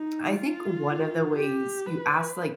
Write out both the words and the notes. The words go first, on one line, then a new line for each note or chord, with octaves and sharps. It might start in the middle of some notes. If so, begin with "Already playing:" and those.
I think one of the ways you ask, like,
Already playing: D#4
F4
G4
B4